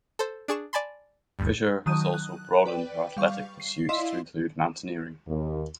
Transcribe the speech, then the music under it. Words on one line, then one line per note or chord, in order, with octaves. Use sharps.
Fisher has also broadened her athletic pursuits to include mountaineering.
A4 C5
D4 G#4 C#6 E7
D5 G#5 A5 B5 C6
G1 D2 G2
D#3 F#3 A5 D#6 G6 D#7
F#6
B4 D5 G5
G3 F5 C#6
C7
E4 D5 D#5 F5 C6
D#2